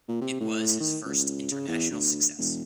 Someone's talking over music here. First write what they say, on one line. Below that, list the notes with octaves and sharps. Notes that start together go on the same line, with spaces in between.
It was his first international success.
A#2
C3
A2
D#3
C#2
C#3
E2
D2
E1